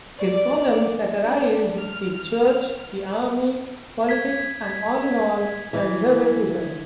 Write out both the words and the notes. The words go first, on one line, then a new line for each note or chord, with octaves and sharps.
His columns satirized the church, the army, politics and, all in all, conservatism.
D5
D4
F6
G#6 B6
E3